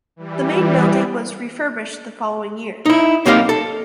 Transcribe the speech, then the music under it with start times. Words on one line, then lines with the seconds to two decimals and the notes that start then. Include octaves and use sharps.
The main building was refurbished the following year.
0.16 E3 G3
2.86 D#4 E4
3.26 B1 A#3 C4 D#4 G4 F5
3.49 A4